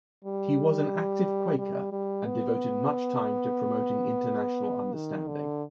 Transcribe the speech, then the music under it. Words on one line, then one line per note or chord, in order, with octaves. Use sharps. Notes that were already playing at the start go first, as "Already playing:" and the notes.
He was an active Quaker and devoted much time to promoting international understanding.
G3
G3
G3
B3
D#3
D3